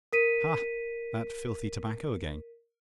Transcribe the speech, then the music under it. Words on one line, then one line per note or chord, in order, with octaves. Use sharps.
Ha! that filthy tobacco again!
A#4 B6 D#7